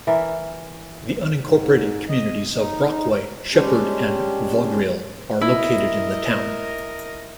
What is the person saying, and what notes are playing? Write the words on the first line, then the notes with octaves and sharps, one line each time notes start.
The unincorporated communities of Brockway, Sheppard, and Vaudreuil are located in the town.
E3 A#4 D5 E5
G#2
D#5
D#4
G3 G#3 C#4 D4 G4
E4 A#4 D#5